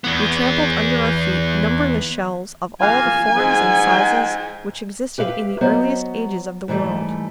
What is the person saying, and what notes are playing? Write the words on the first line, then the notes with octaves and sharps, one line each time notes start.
We trampled under our feet numberless shells of all the forms and sizes which existed in the earliest ages of the world.
E2 B3
E2 A#2 F5 G#5
G#2
G4 B4 E5 F5
F#3 B3 C5 D#5
G#2 E3 F#3 G3 A3